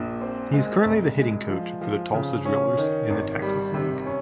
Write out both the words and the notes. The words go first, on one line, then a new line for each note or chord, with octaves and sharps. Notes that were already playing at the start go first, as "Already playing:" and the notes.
He is currently the hitting coach for the Tulsa Drillers in the Texas League.
Already playing: A#1 A#2
C4
G#3
C2
G#3
F3
F3
C#3
C#4
D#3
G#1
G3
C3
C#4